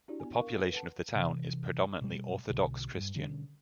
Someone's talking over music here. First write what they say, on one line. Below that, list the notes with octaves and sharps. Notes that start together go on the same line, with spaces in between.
The population of the town is predominantly Orthodox Christian.
D4 E4 F#4 G4 D5
B3 G#5
A#4 F5 C#6
A4 B4 G#5
B4 F#5 A5
C3 E3
B2 G3
B1 B2 D3
G2
B2 D3 G3 C#4